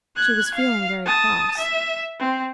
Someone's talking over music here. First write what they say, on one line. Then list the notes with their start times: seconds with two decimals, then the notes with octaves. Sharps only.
She was feeling very cross.
0.16 F#6 G#6
0.54 F5
1.05 A5 D#6
1.57 E5
2.19 C4